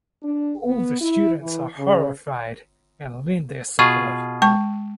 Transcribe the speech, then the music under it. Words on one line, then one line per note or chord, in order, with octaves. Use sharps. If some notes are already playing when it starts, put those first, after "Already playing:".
All the students are horrified and lend their support.
D4
B3
E4
E3
C#3
B2 F4 G#4 C#6
G#3 A5 C#6